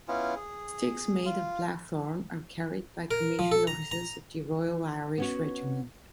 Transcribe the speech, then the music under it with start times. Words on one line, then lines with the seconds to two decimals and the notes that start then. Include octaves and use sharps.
Sticks made of Blackthorn are carried by commissioned officers of the Royal Irish Regiment.
0.08 B3 C#4 E4 F4
0.36 G#4
1.25 F4
3.11 A#4
3.39 F3
3.52 A4
3.67 A#5
3.91 A#5
5.18 B3 C#4 F#4